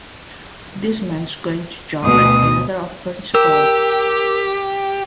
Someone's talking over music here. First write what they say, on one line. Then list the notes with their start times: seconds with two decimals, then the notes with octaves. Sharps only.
This man's going to jump as a matter of principle.
2.05 D2 B2 D#6
3.34 G4 A#4 E6